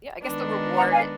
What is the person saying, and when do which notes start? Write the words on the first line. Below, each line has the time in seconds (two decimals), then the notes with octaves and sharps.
Yeah, I guess the reward
0.24 D#3 G#3 B3 D4
0.75 F#5 A#5
0.92 F5 G#5